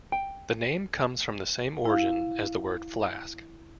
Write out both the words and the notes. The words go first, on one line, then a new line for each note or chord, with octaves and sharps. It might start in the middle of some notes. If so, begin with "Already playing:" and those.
The name comes from the same origin as the word "flask".
G5
E4 F5